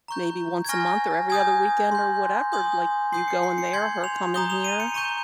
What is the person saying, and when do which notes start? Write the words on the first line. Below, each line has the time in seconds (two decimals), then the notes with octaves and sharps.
maybe once a month or every other weekend or whatever, like you going there, her coming here.
0.08 A#5 C#6 G6
0.65 G#6
0.69 G#5 C#6 F6 A#6
1.30 G#5 D#6 G6 G#6
1.91 C6 G6
2.52 G#5 C6 D#6 G6
3.12 C6 D#6 G6 C7
3.28 C#7
3.43 C7
3.58 C#7
3.73 C6 G6 G#6
4.04 F7
4.34 A#5 D#6 G6 G7
4.50 F7
4.64 D#7
4.80 C#7
4.94 A#5 C#6 G6 D#7